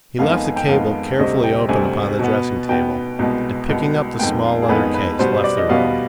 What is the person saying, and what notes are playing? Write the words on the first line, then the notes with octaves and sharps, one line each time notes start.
He left the cable carefully open upon the dressing-table, and, picking up the small leather case, left the room.
F2 D#3 G#3 B3 F5
G#5
G#5
G5
F2 D#3 G#3 B3 F5
D2 C3 G3 C4 D#5
G5
D2 C3 G3 C4 G#5
B2 B3
B2 B3 G5
C2 B2 G#3 B3
C2 B2 G#3 B3
F2 D#3 G#3 B3 G5
F5
G#4
F2 D#3 G#3 B3 B4
B4
B2 G3 B3 C5
C5
D5
D#5
B2 G3 B3 F5